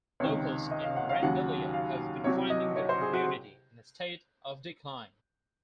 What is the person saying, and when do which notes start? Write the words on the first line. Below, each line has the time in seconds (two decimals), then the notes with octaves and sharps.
Locals in Randalia have been finding their community in a state of decline.
0.20 C#2 C3 D#3 C#5
0.71 D#5
0.83 F5
0.97 F#5
1.09 F5
1.23 D#2 C#3 F#3 F#5
1.73 F5
2.24 C2 C3 F#3 C#5
2.50 D#5
2.76 C#5
2.89 C5
3.01 G#4
3.13 F#4